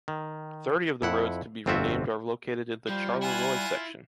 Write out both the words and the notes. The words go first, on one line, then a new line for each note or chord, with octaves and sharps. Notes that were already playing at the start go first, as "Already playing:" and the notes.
Thirty of the roads to be renamed are located in the Charleroi section.
D#3
F2 E4 F#5
G1 F2 C4 F4 F#4 E5
F3 G3 C5
E4 F4 F#5 G#5